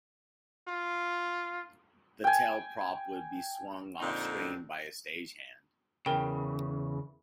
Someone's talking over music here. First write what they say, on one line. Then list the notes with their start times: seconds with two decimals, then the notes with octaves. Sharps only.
The tail prop would be swung offscreen by a stage hand.
0.68 F4
2.24 G5 G#5
4.01 F2 A#2 D3 C4 D#4
6.06 E2 C#3 A#4 G5